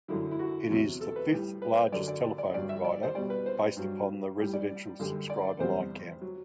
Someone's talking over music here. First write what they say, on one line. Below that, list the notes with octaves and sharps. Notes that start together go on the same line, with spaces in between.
It is the fifth largest telephone provider based upon residential subscriber line count.
F#2 D3 F#3 E4
E4
F#4
E2 C3 F#3
A4
B4
A2 G3
B4
F#2 D3 F#3 D5
D5
D5
G2 F#3 D5
E5
D5
C5
B2 G3 D5
B4
C5
G2 F#3
A2 G3
D5
F#2 D3 G3
D5
E2 C3 G3 C5
F#3